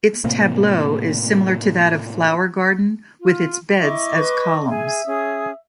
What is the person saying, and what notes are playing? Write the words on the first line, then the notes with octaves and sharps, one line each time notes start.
Its tableau is similar to that of Flower Garden with its beds as columns.
A2 C3 A#3
F4
E4 D#5 C#6 D6
B4
G#4 E5 G#5
C#4 G#4 D#6